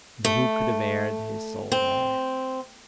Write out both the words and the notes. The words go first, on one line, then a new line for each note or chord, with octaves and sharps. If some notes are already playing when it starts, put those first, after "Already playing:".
And who could have aired his soul there!
A3
C4